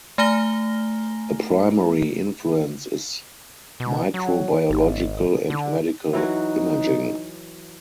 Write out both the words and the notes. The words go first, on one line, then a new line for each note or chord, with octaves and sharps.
A primary influence is microbiological and medical imaging.
A3 G#5 A#5 F6 A#6 G7
B2
F#3
G#1
D3
E3 F#3 D#4 F#4